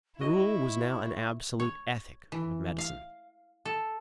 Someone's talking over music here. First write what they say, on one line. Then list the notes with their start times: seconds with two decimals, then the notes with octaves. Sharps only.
The rule was now an absolute ethic of medicine.
0.21 E4 F#4 D#5 C#6
1.60 C#5
2.32 E3
2.79 F5
3.65 A4